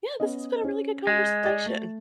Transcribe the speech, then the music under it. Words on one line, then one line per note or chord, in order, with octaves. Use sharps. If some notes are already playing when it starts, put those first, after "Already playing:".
yeah, this has been a really good conversation.
B3 C#4 D#5
C#4 C5
G#3
D5 D#5 A6
A3